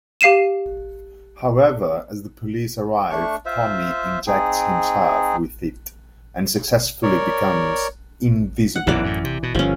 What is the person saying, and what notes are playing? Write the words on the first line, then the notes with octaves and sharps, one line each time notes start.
However, as the police arrive Tommy injects himself with it and successfully becomes invisible.
G4 F5 C7 D#7 E7
A3 D4 C#6
F4 C5 E5
C4 D#4 G#4
A#4 C#5 D5
F#5
B1 F#2 A#2 E3 D5
F#2 A2
C3
B2
G1 F3 C#4